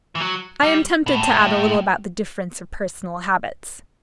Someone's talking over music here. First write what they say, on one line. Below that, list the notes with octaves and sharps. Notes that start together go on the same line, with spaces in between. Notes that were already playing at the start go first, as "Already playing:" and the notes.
I am tempted to add a little about the difference of personal habits.
E3
F#3
G3
B2
A2
G2
A2